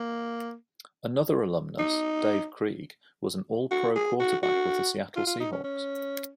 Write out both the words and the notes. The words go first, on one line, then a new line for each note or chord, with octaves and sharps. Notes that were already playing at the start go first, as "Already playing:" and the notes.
Another alumnus, Dave Krieg, was an All-Pro quarterback with the Seattle Seahawks.
Already playing: A#3
D#4
F#4
G#4
F#4
F#4
F4
F4
D#4
C#4
C#4